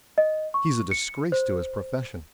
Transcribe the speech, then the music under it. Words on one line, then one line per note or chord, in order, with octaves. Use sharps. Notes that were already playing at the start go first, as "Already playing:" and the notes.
"He's a disgrace to his profession!"
D#5
C#6
C#7
C5